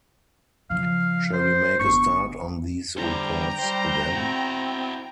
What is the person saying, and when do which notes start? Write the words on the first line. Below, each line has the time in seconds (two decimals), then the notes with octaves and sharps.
Shall we make a start on these reports then?
0.70 C#3 F3 F5
1.33 C5
1.79 G1 B3 C#6
2.97 D3 G3 C5 G5 A#5
3.59 G3 C5
4.12 C4 E4 F#4